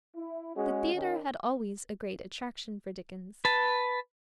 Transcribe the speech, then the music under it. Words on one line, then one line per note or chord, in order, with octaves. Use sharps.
The theater had always a great attraction for Dickens.
E4
G#3 C#4 F#4 G#4
D#3 C#4
B4 A5